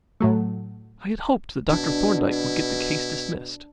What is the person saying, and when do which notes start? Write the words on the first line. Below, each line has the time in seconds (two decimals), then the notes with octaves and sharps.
I had hoped that Dr. Thorndyke would get the case dismissed.
0.20 A2 F#3 A3
1.69 B2 D4 E4
2.33 E4